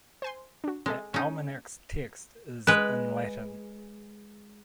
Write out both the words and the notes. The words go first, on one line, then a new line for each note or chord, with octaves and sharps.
The "Almanach"'s text is in Latin.
C5 G#5 C6
D4 F#4
G#3 C4 A4 D#5
C#4 D#4
G#3 B4